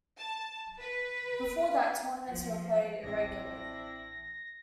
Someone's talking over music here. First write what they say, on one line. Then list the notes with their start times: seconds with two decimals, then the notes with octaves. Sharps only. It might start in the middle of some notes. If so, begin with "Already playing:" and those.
Before that, tournaments were played irregularly.
0.18 A5
0.80 B4
2.29 F3
3.03 A1 C4 D4 E4 A#6